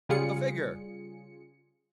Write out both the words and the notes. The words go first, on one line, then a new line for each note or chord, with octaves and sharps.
The figure!
C#3 G3 F4 G#4 C#7